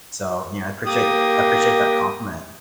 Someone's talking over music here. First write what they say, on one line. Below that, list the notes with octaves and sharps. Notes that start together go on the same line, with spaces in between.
so, you know, I appreciate I appreciate that compliment.
A#3 G4 D#6